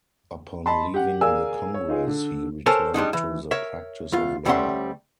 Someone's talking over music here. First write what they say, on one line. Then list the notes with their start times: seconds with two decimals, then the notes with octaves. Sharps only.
Upon leaving the Congress, he returned to the practice of law.
0.66 D#5 A5 B5 C6
0.94 G4 F#5
1.21 G#4 A#4 D5 F5 G#5 E6
1.74 C#5
1.88 D#4 F4 G#4
2.07 D3
2.66 A4 A#4 C5 C#5 G#5 A5
2.94 G3 G#3 D4 D#4
3.13 E3
3.51 A#4 C#5 E5
4.12 E2 F4
4.45 D2 G3 A3 C#4 F#5 C6